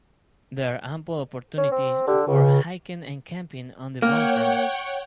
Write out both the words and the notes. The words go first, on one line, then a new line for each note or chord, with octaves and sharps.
There are ample opportunities for hiking and camping on the mountains.
C#4
C4
D3 G4
C#2 C#3
A#3 C#5 F#5 G5